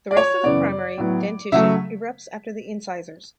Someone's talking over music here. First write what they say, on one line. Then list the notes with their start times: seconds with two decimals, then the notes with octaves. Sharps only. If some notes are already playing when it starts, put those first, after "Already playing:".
The rest of the primary dentition erupts after the incisors.
0.11 D5
0.17 C#5
0.43 F#2 C#3 E3 B3 D5
0.98 A2 F#3 B3
1.52 C#3 F#3 A3 E5